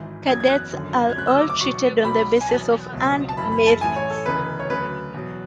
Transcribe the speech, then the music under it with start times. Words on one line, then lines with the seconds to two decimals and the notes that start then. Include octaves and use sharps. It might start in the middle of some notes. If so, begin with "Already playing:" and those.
Cadets are all treated on the basis of earned merit.
Already playing: G#1 G#2 E3
0.28 F#1 E2 C#3 F#3 G#6
0.40 G#6
0.50 F#6
0.72 G#1 F#2 D3 F#3
1.10 G#6
1.16 D2 C#3 F#3 F#6
1.27 E6
1.38 D6
1.50 D6
1.61 E2 B2 F#3 C#6
2.04 B1 B2 F#3 B5
2.41 G#5
2.49 E2 B2 F#3 A5
2.93 C#2 B2 F#3
3.29 A5
3.37 F#1 F#2 E3 B5
3.52 B5
3.67 A5
3.81 A1 A2 E3 G#5
3.96 C#5
4.10 A4
4.25 E1 D2 C#3 E3 B4
4.60 C#5
4.70 D2 C#3 F#3 B4
5.14 E2 B2 F#3